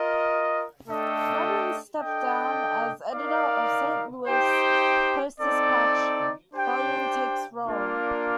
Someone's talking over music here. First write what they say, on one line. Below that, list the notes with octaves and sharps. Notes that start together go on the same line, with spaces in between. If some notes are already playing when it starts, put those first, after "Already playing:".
"Robbins steps down as editor of Saint Louis Post-Dispatch, Bailon takes role".
Already playing: F4 A#4 D#5
A3 D4 A4 D#5 G5
D4 A4 D#5 G5
D#4 A#4 D5 F5
D#4 G4 C5 G5
C4 D#4 A4 D5
D4 G4 C5 G5
A#3 D4 F4 A#4 D5